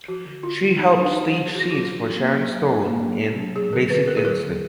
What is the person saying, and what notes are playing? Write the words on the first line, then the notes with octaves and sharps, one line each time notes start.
She helped stage scenes for Sharon Stone in "Basic Instinct".
F3 F#4
D3
D3 F4
G#3
B3 D#4
F#3
D4
F#3 D#4
D4
B3 G#4
F#4
F#3 F4
F#4
F#3
D4
A#3
F#3
F#3
D4
A#3
F#3
F#3
D4
F#3 G#4
D3 A#4
D3 B4
B3 A#4
G#4
F#3 A#4
D3